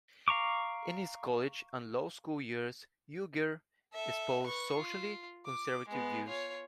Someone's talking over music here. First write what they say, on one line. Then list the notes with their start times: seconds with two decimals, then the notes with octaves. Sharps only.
In his college and law school years, Uygur espoused socially conservative views.
0.28 F5 A#5 C#6 D6
3.93 A4 E5
4.43 B4 C#6
4.76 F4
5.46 D6
5.88 G#3 B3
6.28 F4 C#5